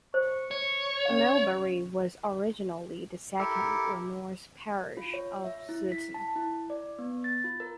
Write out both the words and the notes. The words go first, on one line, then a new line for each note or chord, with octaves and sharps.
Millbury was originally the Second or North Parish of Sutton.
C5 C#6
C#5
C#4 D#4 F5
E4 G4 A4 A#4
F4
C#5
E5
E4
B6
A5
E4
D5
B3
A6
F4
A#4